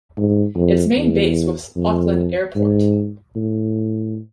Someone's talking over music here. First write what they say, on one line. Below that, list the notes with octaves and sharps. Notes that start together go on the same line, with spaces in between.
Its main base was Auckland Airport.
G#2
F2
E2
F2
G#2
A2